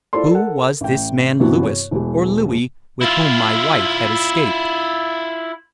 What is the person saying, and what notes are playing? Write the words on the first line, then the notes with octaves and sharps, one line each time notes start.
Who was this man Lewis--or Louis--with whom my wife had escaped?
E4 F4 A4 C5 D5 C6
A4 A#4 F#5
A1 G5
G2 C3 E3 B3 E4 F#4
C#5
E1 E3 G#3
E4 F4